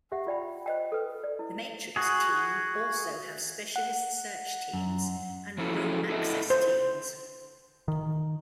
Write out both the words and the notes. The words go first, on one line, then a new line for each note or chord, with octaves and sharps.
The Matrix team also have specialist search teams and rope access teams.
G4 E5 F#5
F4 D5 G5 B5
C5 D#5 G5
A4 B4
D5
E4
F#4 G#4
F#5
F#2
F3 F#3 C#4 E4 A4
E4 A4 D#5 E5
C5
D#3